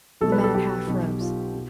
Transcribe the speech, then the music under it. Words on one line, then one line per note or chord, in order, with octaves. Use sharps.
The man half rose.
B1 B2 A4
B4
A4
G4
B1 B2
F4
B2